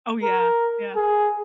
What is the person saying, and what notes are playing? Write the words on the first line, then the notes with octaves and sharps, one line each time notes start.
Oh yeah, yeah.
A#4
G#4